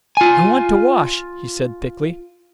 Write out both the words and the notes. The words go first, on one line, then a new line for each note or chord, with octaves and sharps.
"I want to wash," he said, thickly.
F4 G#5